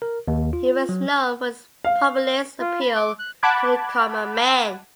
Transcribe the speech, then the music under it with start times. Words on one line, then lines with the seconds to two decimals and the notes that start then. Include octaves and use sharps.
He was known for his populist appeal to the common man.
0.02 A#4
0.28 D#2
0.53 F4
0.89 F#3
1.85 F5
2.60 F4
2.81 B5
2.96 D6
3.19 F#6
3.43 F#5 A5 B5 D6 F#6 G#6